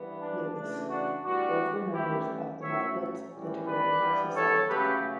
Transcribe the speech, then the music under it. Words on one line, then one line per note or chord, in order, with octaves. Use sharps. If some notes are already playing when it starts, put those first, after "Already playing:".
Lewis: both were members of the Martlets Literary Society.
Already playing: G2 E3 B3
D4
C#3 E3 A3 D4
D4 F#4
A2 G3 B3 D4 F#4
G2 E3 A3 C#4 E4 G4
A2 F#3 A3 C#4 C#5 E5
A2 E3 G3 C#4
B4 D5
G2 E3 G3 B3
A4 C#5
C#3 F#3 A3 C#4 G4 B4